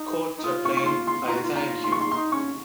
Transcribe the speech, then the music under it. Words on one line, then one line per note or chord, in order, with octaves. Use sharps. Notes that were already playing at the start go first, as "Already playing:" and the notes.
Court-chaplain, I thank you.
Already playing: D#4
D#4
F4 D#6
C#6
C#6
C6
C6
F4 A#5
F#4
F4
A#5
C6
C#6
C6
D#4 C6
C#4 C#6